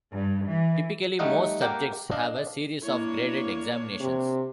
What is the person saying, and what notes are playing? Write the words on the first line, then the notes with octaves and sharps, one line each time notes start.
Typically, most subjects have a series of graded examinations.
G2
E3
G3 A3 D#4 D#5 F5 F#5
A#3 G4 A#4 F#5 G5
D4 D#5 F5
A#3 D4 E4 C#5
C3